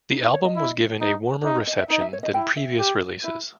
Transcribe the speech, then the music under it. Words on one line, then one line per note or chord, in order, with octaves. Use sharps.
The album was given a warmer reception than previous releases.
D#4
E4
C#5
D#5
E4
D#4
D#4 E5
D#5
D#5
E5
D#4 D#5
E5
C#5
D#5
E4 G5
E5
G4
E4 E5